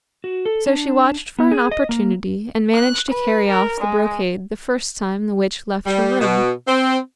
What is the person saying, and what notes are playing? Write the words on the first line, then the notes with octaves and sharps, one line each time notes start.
So she watched for an opportunity and managed to carry off the brocade the first time the witch left her room.
F#4
A4
D4
B3
G#4
D#5
A#3
F#6
B4
A#4
G#3
G3
B2
C4